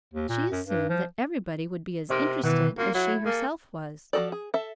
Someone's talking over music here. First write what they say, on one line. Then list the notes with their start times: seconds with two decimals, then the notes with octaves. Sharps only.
She assumed that everybody would be as interested as she herself was.
0.14 D#2
0.29 A#2
0.51 F#2
0.66 G2
0.90 F3
2.10 C3 D#4 A#4 C5
2.44 B2 D#3 E3 F#5
2.78 A#3 C#4 F4 F#4
2.94 F#3 E4 A4
3.26 A#3 G#4 A4
4.13 F3 C4 F#4 A4 D5
4.32 G#4
4.54 A4 E5